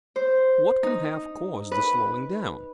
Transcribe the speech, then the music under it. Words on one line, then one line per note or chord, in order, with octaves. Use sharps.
What can have caused the slowing down?
C5
D#4
B4